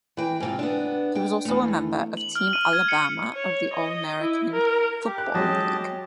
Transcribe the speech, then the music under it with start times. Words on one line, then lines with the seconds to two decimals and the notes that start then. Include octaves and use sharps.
He was also a member of Team Alabama of the All American Football League.
0.17 E3 G5
0.40 G#2 C3 F4
0.59 B3 D4
1.15 G5
1.45 E2 A3
2.17 F#7
2.35 F6
2.53 D#7
2.73 G#6
2.88 C#7
3.34 C#5
3.73 D#5
4.22 E4
4.52 A#4
5.05 G4
5.18 F#6
5.34 F#3 G#3 C#4 G4 D#5 A5